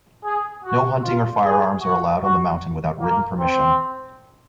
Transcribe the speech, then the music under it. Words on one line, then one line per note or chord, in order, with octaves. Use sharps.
No hunting or firearms are allowed on the mountain without written permission.
G#4
F#4
F4
G#4
F#4
F#4
A#3
C4